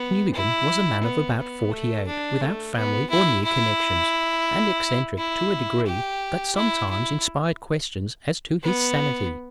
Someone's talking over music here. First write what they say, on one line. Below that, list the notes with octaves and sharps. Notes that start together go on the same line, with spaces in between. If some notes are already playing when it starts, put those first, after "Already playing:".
Newbegin was a man of about forty-eight, without family or near connections, and eccentric to a degree that sometimes inspired questions as to his sanity.
Already playing: B3
E4
B3
B3
A3
D4
A3
B3
E4
E4
E4
G4
E4
E4
B3